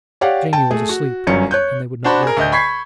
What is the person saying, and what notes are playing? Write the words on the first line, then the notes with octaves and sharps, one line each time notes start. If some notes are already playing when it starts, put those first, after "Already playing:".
Jamie was asleep, and they would not wake him.
G4 C#5 D5 F5 F#5
G5 A5
A3 G#4
F#4
G1 F#2 C#4 C#7
C#5 F#6 G6
D4 F#4 C5 A5 B5
G#4 A#4
D2 D#5 G6
B5 C#6 G#6 B6 C7